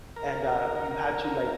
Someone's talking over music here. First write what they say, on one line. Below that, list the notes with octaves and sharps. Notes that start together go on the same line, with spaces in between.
and, uh, you had to, like,
A#4